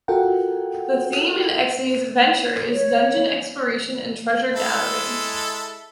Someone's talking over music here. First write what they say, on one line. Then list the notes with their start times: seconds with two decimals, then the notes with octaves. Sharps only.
The theme of Exidy's "Venture" is dungeon exploration and treasure-gathering.
0.08 F4 F#4 A4 A#4 F#5 G5
2.72 C#5
4.56 G#3 E4 A4